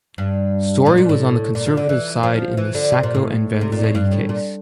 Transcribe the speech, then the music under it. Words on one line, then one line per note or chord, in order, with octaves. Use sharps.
Storey was on the conservative side in the Sacco and Vanzetti case.
G2
A#2
A#2
A2
A#2
A#2
D3
E3
F3
E3
D3
C3
A#2
A2
C3
A#2
A2
G2
A2
A#2